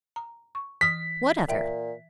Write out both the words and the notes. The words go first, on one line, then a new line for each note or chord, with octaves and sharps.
"What other?"
A#5
C#6
E3 D#6 F6 B6
A#2 E5 G5